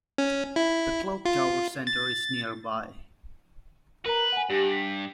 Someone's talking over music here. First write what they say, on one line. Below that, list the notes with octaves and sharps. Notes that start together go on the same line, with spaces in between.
The Clocktower Centre is nearby.
C#4
E4
F4
A6
A#4 B4 A#5
F#5 G#5
G2 G4
B6